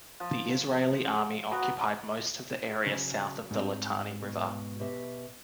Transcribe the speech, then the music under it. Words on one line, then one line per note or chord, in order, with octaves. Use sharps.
The Israeli Army occupied most of the area south of the Litani River.
F3
B3 F#4 A#5
C#3 F#3
G#2 C4
B2
B2 G4 E5